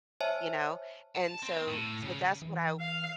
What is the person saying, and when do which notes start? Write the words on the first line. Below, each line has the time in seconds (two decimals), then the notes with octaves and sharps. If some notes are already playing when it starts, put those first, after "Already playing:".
You know? And so, so that's what I
0.20 C5 C#5 E5 G#5 A5
1.15 A5
1.42 C4
1.67 A2
2.02 C#3
2.42 E3
2.80 F5